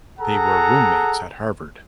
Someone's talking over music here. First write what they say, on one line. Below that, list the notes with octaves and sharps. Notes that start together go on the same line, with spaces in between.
They were roommates at Harvard.
G#4 A4 F#5 A#5